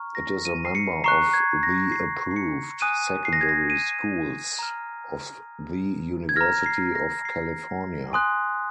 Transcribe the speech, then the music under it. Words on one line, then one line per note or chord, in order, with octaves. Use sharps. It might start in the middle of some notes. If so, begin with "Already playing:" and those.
It is a member of the approved Secondary Schools of the University of California.
Already playing: A#5 C#6 F6
A#6
D#7
C7
C#7
A#5 C#6 F#6 C7
G#6
A#6
C7
C7
C#7
G#5 D#6 F#6 D#7
C7
A#6
G#6
A#6
D#7
A#5 F6
G#6
A#5 F6 A#6
C7
A#6
C7
G#5 C6 D#6 F#6